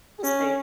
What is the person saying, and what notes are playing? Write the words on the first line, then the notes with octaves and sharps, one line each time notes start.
we'll see.
C#4